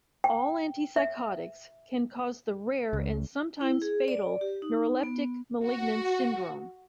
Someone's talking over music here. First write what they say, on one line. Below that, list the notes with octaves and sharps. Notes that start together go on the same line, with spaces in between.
All antipsychotics can cause the rare and sometimes fatal neuroleptic malignant syndrome.
G5
E5
C#2
E4
G#4
D5
G4
D#4
B3
F#4